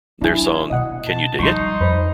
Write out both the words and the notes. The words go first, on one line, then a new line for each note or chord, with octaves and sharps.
Their song Can You Dig It?
F#3 D4 E4 G#5
B2 D#5 F#5
A5
F3 G3 D#4 C6 C#6
F2 C5 B5